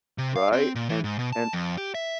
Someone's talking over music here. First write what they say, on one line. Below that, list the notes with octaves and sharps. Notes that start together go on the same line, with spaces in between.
right? And and
C3
F5
C4
A#2
E3
G#2
B2
A5
F2
G4
E5